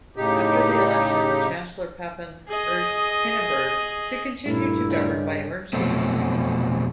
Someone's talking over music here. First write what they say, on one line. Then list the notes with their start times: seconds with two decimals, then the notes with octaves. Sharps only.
After the election, Chancellor Papen urged Hindenburg to continue to govern by emergency decrees.
0.16 A2 C#3 D#4 G4
2.48 G#4 D#5
4.46 G2 A#2 A3 E4
4.90 C#3 G3 G#3
5.73 F2 B2 F#3 A3 C4